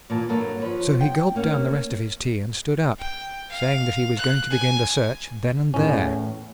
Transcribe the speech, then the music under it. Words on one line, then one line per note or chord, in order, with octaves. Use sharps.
So he gulped down the rest of his tea and stood up, saying that he was going to begin the search then and there.
A#2 E3 A5
G2 F#3 A#3 A4
F3 B4 C#5
G5
A3 A#3 C#4
G5
F5
F#6
G#5
E2 A2 C#4